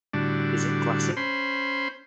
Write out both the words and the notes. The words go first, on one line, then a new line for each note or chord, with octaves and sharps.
Is it classic?
A2 D3 G3 D4 F#4
C#4 C5 B5 C6